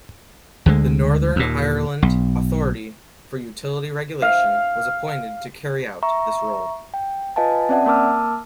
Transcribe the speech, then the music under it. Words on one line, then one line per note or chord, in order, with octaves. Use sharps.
The Northern Ireland Authority for Utility Regulation was appointed to carry out this role.
D2 D3 G#3
D#2 A#2
B1
F5
E5 A#5 C#6
G5
F4 B4 D#5 F5 G#5 A5
C4 C#4 D5 E5 F#5 A5
A#3 A#4 A5 D6 E6 F6